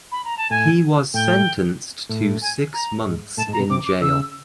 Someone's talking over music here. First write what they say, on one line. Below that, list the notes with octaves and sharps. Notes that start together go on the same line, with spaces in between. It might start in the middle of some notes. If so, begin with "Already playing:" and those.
He was sentenced to six months in jail.
B5
A#5
A5
A2 G#5
A2 G5
A2
G#5
A#5
G#2
A2 A5
G#2
A#5
B2
C3 D6
D6
C#3 E6